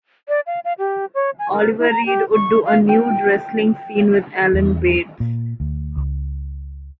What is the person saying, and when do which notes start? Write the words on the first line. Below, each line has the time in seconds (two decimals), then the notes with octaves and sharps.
Oliver Reed would do a nude wrestling scene with Alan Bates.
0.29 D5
0.47 F5
0.65 F5
0.78 G4
1.15 C#5
1.39 G#5
1.53 A#4
1.79 E4
1.90 A#5
2.06 G4
2.33 C#6
2.65 F5
2.89 G5
4.54 E2
5.20 A#2
5.60 D2
5.96 C#2